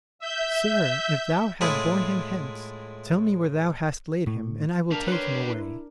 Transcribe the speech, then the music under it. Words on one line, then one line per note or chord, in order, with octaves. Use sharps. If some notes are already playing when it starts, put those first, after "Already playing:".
"Sir, if thou have borne him hence, tell me where thou hast laid him, and I will take him away."
E5 G6
A2 G#3 E4 F4 G#4
A2
D4 G4 A#4 F5 A5
B4 C#5 C6
E4